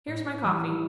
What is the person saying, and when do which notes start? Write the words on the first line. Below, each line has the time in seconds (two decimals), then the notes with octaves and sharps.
Here's my coffee.
0.07 A2
0.43 E3 G3